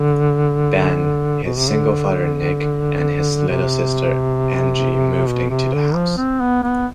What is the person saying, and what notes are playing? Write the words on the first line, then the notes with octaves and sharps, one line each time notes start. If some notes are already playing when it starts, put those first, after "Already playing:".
Ben, his single father Nick, and his little sister Angie move into the house.
Already playing: D3
B2
C3
D3
C3
B2
C3
D3
F3
C4
B3
B3